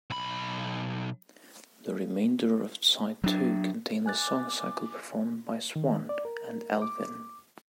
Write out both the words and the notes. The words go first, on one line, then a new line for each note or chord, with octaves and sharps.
The remainder of side two contained the song cycle performed by Swann and Elvin.
B1 B5
F#3 D4
G#5 D6 F#6 A6
D#3
D5
A#4
D6